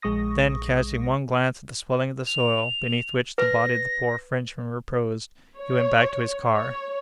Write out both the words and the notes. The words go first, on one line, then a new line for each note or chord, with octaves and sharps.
Then, casting one glance at the swelling of the soil, beneath which the body of the poor Frenchman reposed, he went back to his car.
A#1 G#3 C#6 D#6 A#6
F7
B4 A#6
C#5
C#5